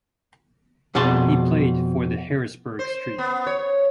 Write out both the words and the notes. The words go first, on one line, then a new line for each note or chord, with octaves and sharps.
He played for the Harrisburg–St.
F2 B2 G#4 D5 A5 C6
C5
B3
C#5